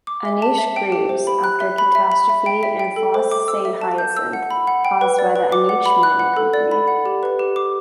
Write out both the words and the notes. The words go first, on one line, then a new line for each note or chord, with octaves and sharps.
Aniche grieves after a catastrophe in Fosse Saint-Hyacinthe caused by the Aniche Mining Company.
D6
E5
A5
E5
G5
G4
C5
B5
F#6
E5
B5
E5
B5
E5
G5
E5
G5
A4
C5
D6
E6
E5
A5
G6
E6
F#5
B5
F#5
G5
B4
D5
B4
D6
F#5
B5
F#6
F#5
A4
D5
B5
F#5
G4
B4
G4
D6